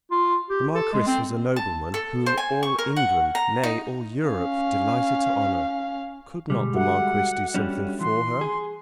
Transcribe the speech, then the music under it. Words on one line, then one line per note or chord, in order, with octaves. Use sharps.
The Marquis was a nobleman whom all England, nay, all Europe, delighted to honour. Could not the Marquis do something for her?
F4
G4
A4
G#3
C4
A5
A4
C5
G#5
C#6
A#4
F#5
A#5
D#4
C#4 F5
B2 D3 G3 G#3
F#4 A4 E5 F#5
G3 C#4 D4
E3 C6
G#4